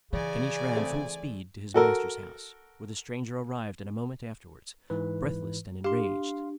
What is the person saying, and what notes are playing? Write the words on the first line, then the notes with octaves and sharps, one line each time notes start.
Caniche ran full speed to his master's house, where the stranger arrived a moment afterwards, breathless and enraged.
C#3 E3 D5 G#5
A3 C4 G#4
F#4 A4 A#4
G#2 E3 B4
D4 G4 F5 C6